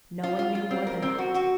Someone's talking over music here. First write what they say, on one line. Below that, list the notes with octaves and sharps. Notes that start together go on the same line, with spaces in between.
No one knew more than that.
F4
F4
F4
C4
A#4
C4
F#4
F#4